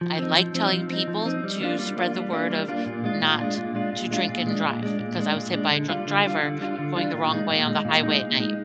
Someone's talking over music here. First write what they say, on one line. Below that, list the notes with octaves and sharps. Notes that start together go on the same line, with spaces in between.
I like telling people to spread the word of not to drink and drive 'cause I was hit by a drunk driver going the wrong way on the highway at night.
F3
C4 D#4
F3
C4 D#4
F3
C4 D#4
F3
C4 D#4
G3
A#3 D4 F4
G3
A#3 D4 F4
G3
A#3 D4 F4
G3
A#3 D4 F4
A#2
G#3 D4 F4
A#2
G#3 D4 F4
A#2
G#3 D4 F4
A#2
G#3 D4 F4
A#2
G#3 D4
A#2
G#3 D4
A#2
G#3 D4
A#2
G#3 D4
D3
G3 D4 F4
D3
G3 D4 F4
D3
G3 D4 F4
D3
G3 D4 F4
A#2
G#3 D#4
A#2
G#3 D#4
A#2
G#3 D#4
A#2
G#3 D#4